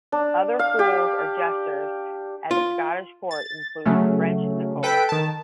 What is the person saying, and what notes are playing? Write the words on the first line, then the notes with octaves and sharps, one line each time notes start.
Other fools or jesters at the Scottish court included French Nicola.
D4
F5
G4
F4
A6
C#3 F#3 A3 C#4
A4 B4 G5 B6 D7
D#3 A5